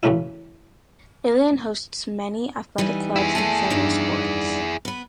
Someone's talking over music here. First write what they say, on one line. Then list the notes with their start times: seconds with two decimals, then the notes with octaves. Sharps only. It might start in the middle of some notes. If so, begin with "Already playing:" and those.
Ilion hosts many athletic clubs in several sports.
0.03 F#2 C#3 E3 A3 C#4 E4
2.78 E3 G3 D#4
3.16 E4 G#4
3.35 A3 G#5 A5
3.70 G2 D#4 D5
4.85 B3 B4